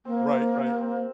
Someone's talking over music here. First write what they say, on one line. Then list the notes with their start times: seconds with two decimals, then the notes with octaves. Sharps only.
Right, right.
0.05 A#3 C4
0.30 C4
0.55 G4
0.81 C4